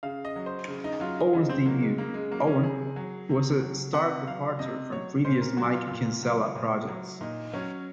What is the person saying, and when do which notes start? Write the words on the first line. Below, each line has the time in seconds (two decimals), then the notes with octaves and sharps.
Owen's debut, "Owen" was a stark departure from previous Mike Kinsella projects.
0.03 C#3 F5
0.25 D#5
0.36 F#3
0.46 C5
0.68 C#3
0.84 D#4
1.00 F#3 F4
1.17 D#4
1.33 C#3 D#4
1.49 C4
1.65 F#3 A#3
1.82 G#3
1.98 C#3 A#3
2.14 G#3
2.31 F#3 A#3
2.47 C#4
2.63 C3 G#4
2.96 F#3
3.29 C3
3.62 F#3
3.94 C3 F#5
4.27 F#3 F5
4.59 C3 D#5
4.92 F#3 C#5
5.25 A#2 C5
5.41 A#4
5.57 F#3 F#4
5.74 F4
5.91 A#2
6.23 F#3
6.55 A#2
6.88 F#3
7.21 A#2 D#4
7.53 F#3 C#4